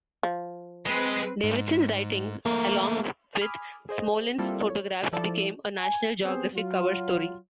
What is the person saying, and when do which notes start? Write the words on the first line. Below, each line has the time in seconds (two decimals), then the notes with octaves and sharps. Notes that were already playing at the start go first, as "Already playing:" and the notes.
Davidson's writings along with Smolan's photographs became a National Geographic cover story.
0.23 F3
0.86 G#3 C4 B4
1.43 G#2
2.46 A3 A#3 A#4
3.41 G#5 B5 D6 D#6 F6
3.89 G#4 C5 D#5
4.39 G3 A#3 C4 E4 F4 A4
4.70 C#5
5.13 F3 E4 A4 D5 A5
5.79 G#5
6.21 B3 C4 G4 G#4 C5
6.54 F#3 F4